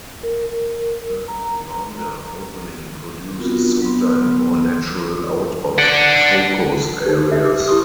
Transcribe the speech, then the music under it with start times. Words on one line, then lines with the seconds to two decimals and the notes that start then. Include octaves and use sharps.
A rounder opening produces softer and more natural out-of-focus areas.
0.23 A#4
1.28 A#5
3.40 B3 C4 D4 F4 F#4 A#4
3.82 F#3 B3 C6
5.78 D5 F#5
7.05 D#4 G4
7.32 E5
7.44 G4 D6
7.68 E4 G4 C6 C#6 D#6